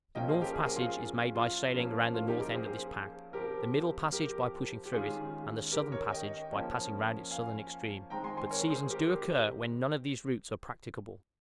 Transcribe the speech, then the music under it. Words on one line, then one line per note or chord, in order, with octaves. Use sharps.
The "North Passage" is made by sailing round the north end of this pack; the "Middle Passage," by pushing through it; and the "Southern Passage," by passing round its southern extreme; but seasons do occur when none of these routes are practicable.
A#2 F3 A#3 C#4 D#5 G5
G#4 C5
G4 A#4
G#4
A#4
F4 G#4
F4
A#2 F3 A#3 C#4
F4
D#4 G4
G4 A#4
G#4 C5
F3 C4 G4 A#4
G4 A#4
G4
D#3 G#3 C#4 F4 G#4
G4 A#4
A#4 C#5
D#5 G5
F3 A#3 C#4
F5 G#5
D#3 G#3 C4 G5 A#5
G#5 C6
G#5 C6
A#4 C#5
G#4 C5
G4 A#4